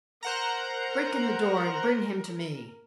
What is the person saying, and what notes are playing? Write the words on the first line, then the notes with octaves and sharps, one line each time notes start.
'Break in the door, and bring him to me!'
A#4 C5 F#5 A#5